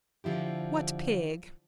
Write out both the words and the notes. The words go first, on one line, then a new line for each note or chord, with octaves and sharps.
"What pig?"
D3 F3 E4 G4